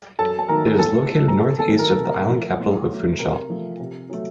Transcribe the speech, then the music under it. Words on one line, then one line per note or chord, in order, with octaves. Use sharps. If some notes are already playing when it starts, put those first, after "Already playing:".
It is located northeast of the island capital of Funchal.
F#2 A4 A5
A5
D#3 F#3 A3 A#4 A#5
A2 A4 A5
F#3 A3
A#5
C3 A4 A5
A4 A5
D#3 F#3 A3
A#4
A4
C3
A#4
F3 A3
A2
F#3 A3
C3 A#4
F3 A3
C3
F#3 A3